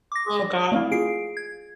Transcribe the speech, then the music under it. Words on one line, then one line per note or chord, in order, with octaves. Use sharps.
Oh god.
D6 A#6
D5
A3 C4 E4 D5 F5
F4 G#4 C7 D7
G#6